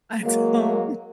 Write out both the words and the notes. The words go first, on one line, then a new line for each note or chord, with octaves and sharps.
I don't
F#3 G#3 A#3